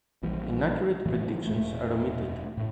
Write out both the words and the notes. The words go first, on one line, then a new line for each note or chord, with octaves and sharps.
Inaccurate predictions are omitted.
A#1 A#2 E3 G3
A2 E3 F#3 A3
E1 A3
A2